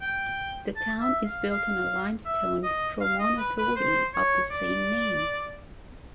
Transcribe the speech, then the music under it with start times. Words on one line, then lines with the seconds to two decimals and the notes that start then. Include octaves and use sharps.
The town is built on a limestone promontory of the same name.
0.01 G5
0.76 A5
1.01 E5
1.25 F5
1.51 F5
2.25 E5
2.63 D#5
3.00 F5
3.19 D#5
3.38 B4
3.58 B4
3.76 C5
4.14 C#5
4.51 D5